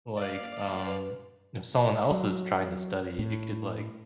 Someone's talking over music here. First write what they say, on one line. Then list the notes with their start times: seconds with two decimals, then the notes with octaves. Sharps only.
like, um, if someone else is trying to study, it could, like
0.17 D5 F5
0.40 A#3
0.72 F#4
0.85 B4
2.11 F#3
3.19 A2